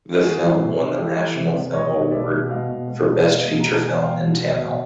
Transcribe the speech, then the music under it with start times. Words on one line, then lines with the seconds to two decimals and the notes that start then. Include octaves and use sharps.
The film won the National Film Award for Best Feature Film in Tamil.
0.21 E3 F#4 G#4
0.41 E3
0.59 C3
0.79 C3
0.97 E3 G4 A4
1.16 E3
1.35 C3
1.54 C3
1.73 B2 C#5 D#5
1.92 B2
2.11 B2 D5 E5
2.30 B2
2.50 B2 D#5 F5
2.69 B2
2.87 B2
3.07 B2
3.25 B2 D#5 F5
3.45 B2
3.60 B2 A#5
3.74 A5
3.83 B2 G#5
4.02 B2 F5 G5
4.21 B2
4.40 B2
4.59 B2